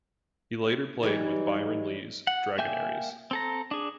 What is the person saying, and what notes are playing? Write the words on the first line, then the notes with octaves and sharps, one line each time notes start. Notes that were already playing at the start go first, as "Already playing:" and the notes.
He later played with Byron Lee's Dragonaires.
E3 F#3 G3 D#4
F#5
A#3 E5 G5 G#5 G6
C4 A4 A#5
D4 G#4